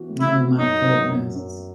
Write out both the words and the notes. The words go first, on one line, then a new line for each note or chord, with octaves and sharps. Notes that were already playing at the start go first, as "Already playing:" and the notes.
Oh my goodness.
Already playing: E3 B3 F#4
A2
E4
F#4
F#2 D#4
F#2
F#2
F#2